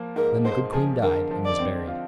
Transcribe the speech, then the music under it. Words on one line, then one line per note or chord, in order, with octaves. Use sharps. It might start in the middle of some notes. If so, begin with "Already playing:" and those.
Then the good queen died, and was buried.
Already playing: F3 A#3
G#2 A#4
G#2 C5
F3 G#4
D3 A#4
F3
D5
C4
F4